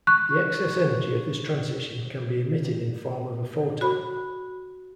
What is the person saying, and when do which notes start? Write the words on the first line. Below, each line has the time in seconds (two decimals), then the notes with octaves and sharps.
The excess energy of this transition can be emitted in form of a photon.
0.07 C#6 F#6
3.81 F#4 B5